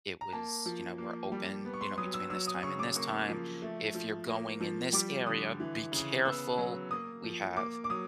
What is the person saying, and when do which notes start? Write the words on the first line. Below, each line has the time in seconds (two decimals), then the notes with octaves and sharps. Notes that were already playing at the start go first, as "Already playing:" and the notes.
it was, you know, "We're open, you know, between this time and this time, if you're going in this area, be careful, we have
0.21 A#5
0.33 A#3 A5
0.66 F3
0.98 A#3
1.32 G3
1.65 B3
1.73 C#6
1.81 C6
1.98 F#3 D#6
2.14 E6
2.30 F#3 E6
2.47 D#6
2.63 C#3 C#6
2.79 D6
2.96 A#3 C#6
3.29 F3
3.62 A3
3.94 F3
4.27 A#3
4.61 F3
4.93 G3 D6
5.26 D3 D#6
5.60 E3
5.92 C#3
6.25 B3 E6
6.58 F#3
6.91 A#3 D#6
7.24 F3
7.56 A#3 D6
7.84 D6
7.90 F#3 D#6